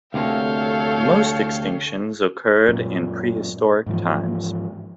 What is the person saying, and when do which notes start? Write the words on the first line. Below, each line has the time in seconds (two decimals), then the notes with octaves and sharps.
Most extinctions occurred in prehistoric times.
0.14 D2 C3 A#3 A4 C#5 F5 G5
2.68 F#2 A#2
3.86 G#2 E3 F3